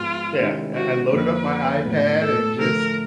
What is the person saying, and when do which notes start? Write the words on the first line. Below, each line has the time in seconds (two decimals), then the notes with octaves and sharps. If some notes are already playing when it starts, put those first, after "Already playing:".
Yeah, I I loaded up my iPad and just
Already playing: G#2 F3 G#3 B3 F4
0.37 C3 D#3 G#3 C#4 E4
0.74 F#4
1.11 F2 D3 F3 A#3 B4
1.85 A2 F#3 B3
2.22 A4
2.59 D3 F3 A3 A#4